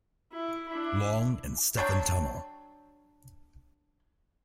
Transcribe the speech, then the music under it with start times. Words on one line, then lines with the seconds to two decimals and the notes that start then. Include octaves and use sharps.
Long and Stephen Tunnell.
0.32 E4
0.68 D4 E4
1.77 F#3 D4 C#5 G5